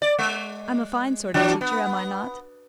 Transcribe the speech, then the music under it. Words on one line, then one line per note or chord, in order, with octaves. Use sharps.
I'm a fine sort of teacher, am I not?
D5
G#3
E3 F#3 D4
B3